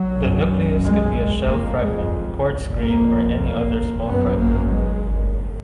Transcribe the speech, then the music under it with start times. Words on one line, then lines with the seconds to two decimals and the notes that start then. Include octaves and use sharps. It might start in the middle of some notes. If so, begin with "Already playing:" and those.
The nucleus can be a shell fragment, quartz grain or any other small fragment.
Already playing: F#3
0.21 F#2
0.85 G#3
1.49 F2 A#3
1.82 G#3
2.78 F2 A#3
3.43 A#3
4.07 F#2 B3
4.39 A#3
4.71 G#3